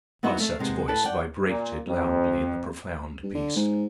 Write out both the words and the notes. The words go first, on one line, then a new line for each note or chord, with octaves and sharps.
Arsat's voice vibrated loudly in the profound peace.
F#3 B3 D#4 E4 F#4 C5
A3 F5
C3 G#3 B3
A2 A4 B4 A5
D5 F#5 G5
A#2
F2
G2
D3
G#2